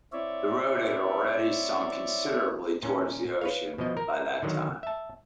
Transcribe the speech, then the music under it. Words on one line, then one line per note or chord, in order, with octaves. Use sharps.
The road had already sunk considerably towards the ocean by that time.
C4 E4 C#5 D5 E5
A#2 C#4
B4 C#5 F5
B2 F3 D#5
A#4
D3 D#3 F#3
E5 A5